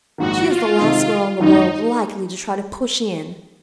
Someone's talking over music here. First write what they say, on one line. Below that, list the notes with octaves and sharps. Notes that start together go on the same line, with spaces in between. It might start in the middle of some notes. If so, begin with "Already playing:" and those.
She is the last girl in the world likely to try to push in.
A#1 G#2 D#3 F#4
F4
C3 D#3 G#3 D#4
G#1 F#2 D#3 D#4